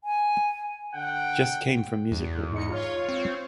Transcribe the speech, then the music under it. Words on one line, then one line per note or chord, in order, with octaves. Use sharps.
Just came from Music Hall.
G#5
D3 F#5 G5
E2
G#2 D#4 C#7
F4 C#5
C4